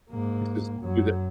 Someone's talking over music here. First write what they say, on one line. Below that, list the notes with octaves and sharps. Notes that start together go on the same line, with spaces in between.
Because do tha
G#2 A#3
F#2 F#3